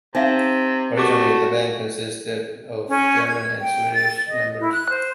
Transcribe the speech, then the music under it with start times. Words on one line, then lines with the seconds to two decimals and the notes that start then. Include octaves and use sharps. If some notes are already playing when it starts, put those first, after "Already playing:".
Originally the band consisted of German and Swedish members.
0.15 C3 C4 D#4 E5 F5
0.97 A3 F#4 G4 D6
2.89 C#4
3.28 G#6
3.61 G5
3.94 A6
4.27 D#5
4.60 E4
4.72 F#6
4.90 C5